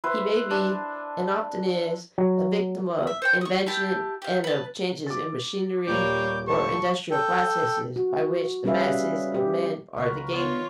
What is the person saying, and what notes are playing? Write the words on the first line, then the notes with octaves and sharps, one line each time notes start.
He may be, and often is, a victim of invention and of changes in machinery or industrial processes, by which the masses of men are the gainers.
E4 B4 C5
D4
F#3
E5
C5 C#5 G5
C#6 D#6
E4 G4 A5
G4 F5
B4 A5
D6 A6
D#1 G3 A#3 C#5 D6 G6
A2 D3 F3 A5 C#6
A4 G5
F#4
G3 C#4 G#4 B4 E5 F5
G4
C#2 F#4 A#4 B4
B3 F4 C#5